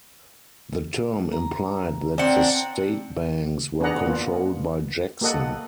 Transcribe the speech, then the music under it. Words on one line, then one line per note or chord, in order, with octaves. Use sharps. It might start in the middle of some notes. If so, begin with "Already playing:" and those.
The term implied that the state banks were controlled by Jackson.
A#5
C4 D4 F#5 G5 A#5
B3 D4 G#4 D5 F#5 A#5
A#3 B3 F4
A#3 G4 A4 D#5 F#5